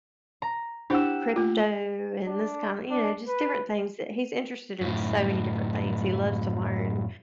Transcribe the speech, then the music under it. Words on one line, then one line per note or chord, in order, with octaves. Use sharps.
crypto and this kinda you know, just different things that he's interested in, so many different things. He loves to learn.
A#5
D4 E4 G4 C5 F#5 E6
A3 A#3 F4
D4
D4
B4
F#2 A2